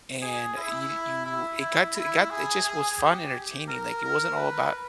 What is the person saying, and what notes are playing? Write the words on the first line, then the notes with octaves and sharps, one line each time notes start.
and you you it got to it got it just was fun, entertaining, like, it wasn't all about
G#4
E4
E4
E4
E4
G#4
G#4
G4
A#4
A#4
B4